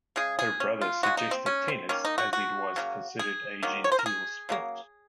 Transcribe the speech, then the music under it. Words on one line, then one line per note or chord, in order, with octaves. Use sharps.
Her brother suggested tennis as it was considered a "genteel" sport.
C#3 G#3 G#4
G#4
C#4
F4
C#3 G#3 F#4
D#4
C4
C#4
C4
D#3 A#3 C#4
D#4
F#4
F#4
C#3 F#3 A#3
G#4
D#3 F#3 A#3
C#5
C5
A#4
G#4
C#3 F#3 A#3